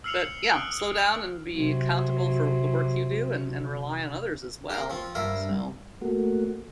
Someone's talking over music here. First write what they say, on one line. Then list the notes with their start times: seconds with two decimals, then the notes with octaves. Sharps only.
but, yeah. Slow down and be accountable for the work you do and and rely on others as well, so
0.04 E6 F6 C7 C#7 F7 F#7
0.46 D#6 F6 F#6 D7 F#7 G7
1.53 C3 F#3
4.70 G4 A#4 F5
4.90 F3 C4
5.15 G2 A#4 E5 F5
6.01 A3 A#3 F#4